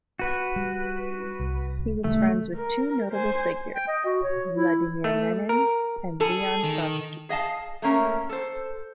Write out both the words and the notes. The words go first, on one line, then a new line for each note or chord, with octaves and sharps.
He was friends with two notable figures, Vladimir Lenin and Leon Trotsky.
F#4 B4
G3
C2
C3 D#3 G3 A3
A#4
C5 G#5
G5
D#5
F#4
C#5
E4
A3
A#4
G#4 A4
D#3
G#4 D#5 F5 A5
A3 A#3 C#4 A#4
A4 C5